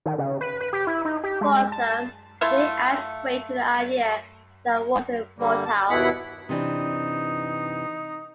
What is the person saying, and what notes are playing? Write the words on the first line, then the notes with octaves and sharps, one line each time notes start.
For some, the day adds weight to the idea that war is futile.
D#3
C#3
B4
B4
G4
E4
D#4
G4
G#3
A5
A3 E4 F4 F5
D3 G3 A#3
A5
D#2 B2 B3 E4 F#5 B5
C3 E3 D4 D#4